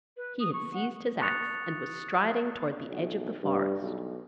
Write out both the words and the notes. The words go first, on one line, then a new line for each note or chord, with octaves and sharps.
He had seized his axe and was striding toward the edge of the forest.
B4
D#6
C#6
F#5
C#6 D#6 F#6 A6 C#7 F7
B1
G2
B1